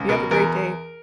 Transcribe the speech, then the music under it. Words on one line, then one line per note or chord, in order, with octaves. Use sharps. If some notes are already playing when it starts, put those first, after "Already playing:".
You have a great day.
Already playing: C#2
B2 A#4
E2 A#4